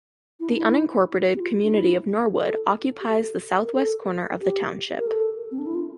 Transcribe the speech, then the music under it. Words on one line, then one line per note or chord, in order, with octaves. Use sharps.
The unincorporated community of Norwood occupies the southwest corner of the township.
E4
D4
E4
G4
F4
D4
E4
A4
G4
A4
A#4
A4
G4
A#4
A4
C4
D4
E4
F4